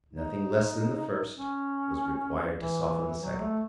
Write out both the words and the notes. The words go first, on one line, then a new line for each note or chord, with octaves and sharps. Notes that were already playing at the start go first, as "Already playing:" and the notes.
Nothing less than the first was required to soften the second.
D#4
C#4
E3
F#3
A3